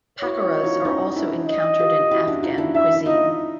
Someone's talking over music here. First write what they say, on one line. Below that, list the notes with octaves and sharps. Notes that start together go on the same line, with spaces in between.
Pakoras are also encountered in Afghan cuisine.
E4 F#4 C#5
E4 F#4
D#4 F4
C#4 D#4
D4 E4
D#5
F4 G4
E4 F#4
D4 E4
D#4 F4
D4 E4
D4 E4 E5
E4
D#4 F4 D#5